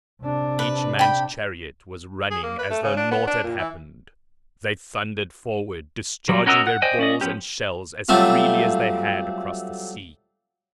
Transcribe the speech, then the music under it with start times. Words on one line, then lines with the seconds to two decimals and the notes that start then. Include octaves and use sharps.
Each man's chariot was running as though naught had happened; they thundered forward, discharging their balls and shells as freely as they had across the sea.
0.22 C3 D4
0.59 B4
0.99 G5 B5
2.31 G#4
2.43 A#3
2.59 B4
2.70 A3
2.83 C#3
2.97 D4
3.11 B3
3.27 D4
3.44 A#2
3.58 E3
6.29 F#3 G3
6.46 C#4 F#4 A#4 D#5 E6
6.67 F#5
6.82 C5 D5 D#5 G5 G#5
6.99 C#4 D5 D#5
7.21 F3 G3 B3 C#4 G4
8.09 F#3 G3 A3 C4 F4